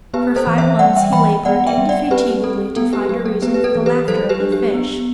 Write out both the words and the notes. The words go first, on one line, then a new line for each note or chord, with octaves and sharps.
For five months he labored indefatigably to find a reason for the laughter of the fish.
B3 G4 B4
A4 C5
E3
C5 E5
G3 D5 F#5
E5 G5
E3 G5 B5
B3 D5 F#5
E5 G5
G3
D5 F#5
C4 G4 B4
C4 A4
B3 A4
G4 B4
F#3 G4
A4
B3 G4 B4
B4
A4
E3
G4 B4
F#3 A4 C5
G4 B4
D4
G4
B3